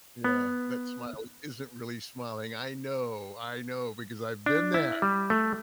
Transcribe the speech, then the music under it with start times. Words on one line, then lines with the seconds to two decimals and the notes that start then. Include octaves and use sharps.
Yeah. That smile isn't really smiling. I know. I know because I've been there.
0.24 B3
4.46 D4
4.74 E4
5.02 G3
5.30 A3